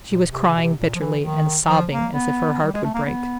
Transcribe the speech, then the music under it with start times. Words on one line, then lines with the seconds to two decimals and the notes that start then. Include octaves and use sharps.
She was crying bitterly, and sobbing as if her heart would break.
0.10 A#2
0.32 C3
0.48 C#3
0.56 B2
0.62 C3
0.78 A#2
0.95 F3
1.01 E3
1.24 D#3
1.69 F3
1.92 A#3
2.14 B3
2.63 G3
2.74 G#3
2.84 A3
2.94 A#3
3.06 B3